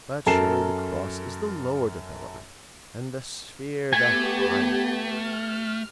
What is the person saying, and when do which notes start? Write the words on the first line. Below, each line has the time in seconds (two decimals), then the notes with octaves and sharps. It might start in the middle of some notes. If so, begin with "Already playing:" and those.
But surely the cross is the lower development and the sphere the higher.
0.26 F#2 A4 A#4 C7 E7
3.93 A3 B3 G4 G#5
5.06 F6